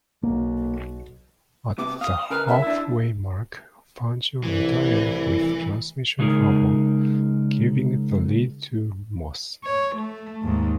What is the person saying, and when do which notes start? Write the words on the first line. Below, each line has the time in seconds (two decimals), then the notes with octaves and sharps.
At the halfway mark, Fangio retired with transmission trouble, giving the lead to Moss.
0.23 B1 A#3
1.78 C3 B3 D6
2.01 F5 D#6
2.30 C#3 A#4 B4 F6
2.48 E5
2.62 D4 E4
4.44 C2 A2 E3
6.19 C#3 G#3 A3 D#4 G#4 A#4
9.64 C#5
9.96 A3
10.42 D#2 G#2